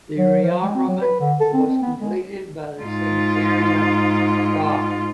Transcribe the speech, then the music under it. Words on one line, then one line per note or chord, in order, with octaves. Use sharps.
The rearmament was completed by the Centurion stock.
F#3
F3
G#3
C4
F#3
B4
D3
A4
C4
C4
B3
G#3
G#2 F4